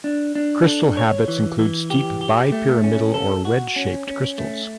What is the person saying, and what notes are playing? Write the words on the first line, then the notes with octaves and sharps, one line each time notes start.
Crystal habits include steep bipyramidal or wedge-shaped crystals.
D4
D4
A4
C#5
E3
E3
G4
G4
A3
C#4
A4
F#4
C#4
C#4
A3